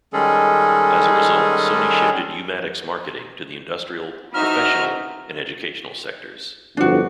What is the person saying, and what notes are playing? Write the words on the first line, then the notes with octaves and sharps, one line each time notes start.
As a result, Sony shifted U-Matic's marketing to the industrial, professional, and educational sectors.
D#3 G3 G#3 C#4 G#4 A4
E3 C4 D#4 F#4 E5 A#5 F6
G1 C2 F2 D4 F#4